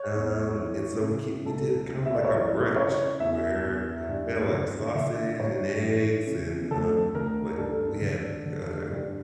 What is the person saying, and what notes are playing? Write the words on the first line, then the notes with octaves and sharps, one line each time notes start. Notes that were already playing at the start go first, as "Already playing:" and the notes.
um, and so, we k we did it kinda like a brunch, where we had, like, sausage and eggs and, um, like, we had, um,
Already playing: C#5
E2
E3
C#3
C#2 A4
C#2
E5
D5
C#5
E3 A#4
C#3 C#5
E2 E5
E2
G2
D3
D3 E5
G2 C#5
E3
C#3
D2 A4
D2 A#4
G2 A4
D3
D3
G2